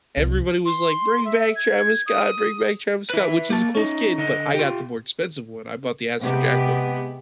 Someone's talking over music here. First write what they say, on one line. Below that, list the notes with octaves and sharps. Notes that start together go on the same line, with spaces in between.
Everybody was like, "Bring back Travis Scott. Bring back Travis Scott," which is a cool skin, but I got the more expensive one. I bought the Astro Jack one.
C2
C6
E5
G#6
D#6
E4 B4
A#3 A5
C#4 D#4
D3 D#5
F4 G4
C3 G#3 B3 G4